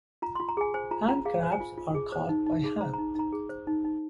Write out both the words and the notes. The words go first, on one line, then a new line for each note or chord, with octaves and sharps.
Land crabs are caught by hand.
F4 A#5
F4 C6
A#5
G#4 G#5
C5 G#5
F4 A#5
F4 A#5
G#4 F5
C5
G#5
F4
F4
G#4
C5
D#4
D#4
G#4
C5 A#5
D#4 A#5
D#4 A#5
G#4
C5
D#4
D#4